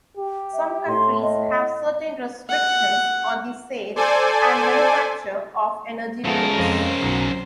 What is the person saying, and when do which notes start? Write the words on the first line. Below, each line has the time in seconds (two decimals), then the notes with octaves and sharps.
Some countries have certain restrictions on the sale and manufacture of energy drinks.
0.17 G4
0.54 E5
0.88 A2 C6
1.23 D#5
2.50 F#5
3.96 A4 C5 D5 G#5
6.25 C#3 F3 G#3 A3 B3 A#4
6.57 F2 F3 C5
7.03 B1 F#3